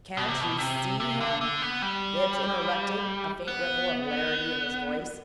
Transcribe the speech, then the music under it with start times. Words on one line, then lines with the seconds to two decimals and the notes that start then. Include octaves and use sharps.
"Can't you SEE him?" Bibbs interrupted, a faint ripple of hilarity in his voice.
0.17 B2
0.28 C3
0.41 B2
0.58 C3
1.00 C3
1.21 D3
1.41 D3
1.62 B3
1.82 G3
3.48 B3